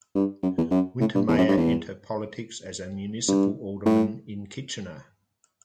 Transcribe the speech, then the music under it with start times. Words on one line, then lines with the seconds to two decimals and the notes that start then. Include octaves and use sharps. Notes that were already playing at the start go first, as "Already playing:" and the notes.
Wintermeyer enter politics as a municipal alderman in Kitchener.
0.15 G2
0.43 F#2
0.58 E2
0.71 F#2
1.00 A2
1.15 G2
1.29 E2
1.38 F#2
1.48 G2
1.58 E2
3.28 G2
3.86 A2